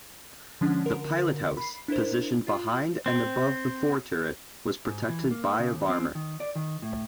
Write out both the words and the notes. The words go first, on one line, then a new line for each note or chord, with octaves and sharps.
The pilothouse, positioned behind and above the fore turret, was protected by of armor.
D3 F3 G#3 C#4 D4
D3 A#4
B5 C7
D4 E4 A#4 C5
F4
C4
G#2
E3
A#3
C#3
D#2
C4
D#3
D5
D#3
A2